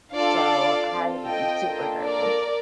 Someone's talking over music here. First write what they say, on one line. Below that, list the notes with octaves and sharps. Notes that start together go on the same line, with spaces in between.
So, I am super nervous.
D4 F4 A4 D5 F5
C4 F4 A4
D#5 G5
A#3 D4 F4 A4
A#4 D5